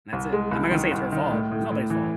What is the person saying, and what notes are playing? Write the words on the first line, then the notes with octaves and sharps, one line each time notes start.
and that's it. I'm not gonna say it's her fault, it's nobody's fault,
C2
G#3
C2
D#3
C2
D#3
A2
A2
A2
E3